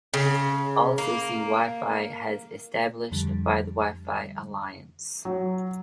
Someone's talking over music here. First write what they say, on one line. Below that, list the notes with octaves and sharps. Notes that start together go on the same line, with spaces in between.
Also see Wi-Fi as established by the Wi-Fi Alliance.
C#3
A#3
F2 D3 G3
F#3